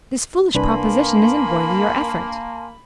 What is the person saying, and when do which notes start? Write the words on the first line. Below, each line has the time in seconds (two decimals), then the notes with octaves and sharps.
This foolish proposition isn't worthy your effort.
0.54 C2 A#3 D4 B4 G#5 A5 B5 C6